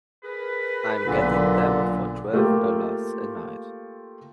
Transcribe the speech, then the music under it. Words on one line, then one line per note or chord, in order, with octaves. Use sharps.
I'm getting them for twelve dollars a night.
G#4 A#4 B4
B1 A#2 D3
A3 A#3 F4 G4